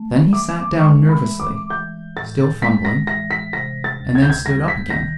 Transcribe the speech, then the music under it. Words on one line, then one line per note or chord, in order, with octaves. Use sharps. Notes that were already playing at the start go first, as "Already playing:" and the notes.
Then he sat down nervously, still fumbling, and then stood up again.
Already playing: A3
E3 D6
G#3 C#6
B5
E3
D6
E3 G6
A2 A6
G#3 B6
A#6
E3 A#6
B6
C3 A#6
A6
D2
G#6
G6
G#6
G3 A#6
B6
D#3 A#6